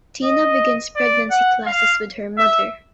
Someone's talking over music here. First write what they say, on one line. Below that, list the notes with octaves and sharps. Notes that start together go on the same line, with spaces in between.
Tina begins pregnancy classes with her mother.
D#5
D5
F#5
F5
E5